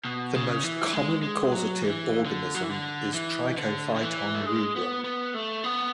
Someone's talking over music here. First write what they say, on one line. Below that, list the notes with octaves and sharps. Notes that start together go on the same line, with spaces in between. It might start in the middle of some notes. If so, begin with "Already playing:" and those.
The most common causative organism is "Trichophyton rubrum".
B2
C#3
E3
G#3
G#3
F#3
E3
D3
F#3
E3
D3
E3
D3
D3
E3
A3
G#3
B3
B3
A3
B3